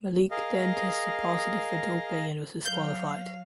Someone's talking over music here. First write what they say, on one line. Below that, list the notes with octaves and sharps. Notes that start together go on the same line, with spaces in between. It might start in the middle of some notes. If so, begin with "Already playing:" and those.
Malik then tested positive for doping and was disqualified.
G#4 A#4 D#5 F5
F#3 F5 G6